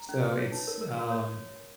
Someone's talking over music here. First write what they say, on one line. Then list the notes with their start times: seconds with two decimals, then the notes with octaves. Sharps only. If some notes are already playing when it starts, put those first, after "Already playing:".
So it's, um
Already playing: A#5
0.09 C#4
0.23 B4
0.37 C#5
0.52 D#4
0.67 A#4
0.81 A#4
0.97 F#4
1.11 C#5